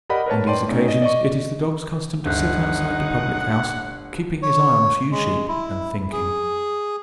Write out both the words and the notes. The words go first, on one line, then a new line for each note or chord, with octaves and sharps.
On these occasions, it is the dog's custom to sit outside the public-house, keeping his eye on a few sheep, and thinking.
G4 A#4 D5 D#5 F#5 B5
A#4 B4 C#5 A5
C#5 D5 G5 C6 D#7
A3 B3 C#4 D#4
D#5
D5 D#5 C#6
G1 D2 D#4 F#5 F#6 G6
C#5
G#3
E4
G#4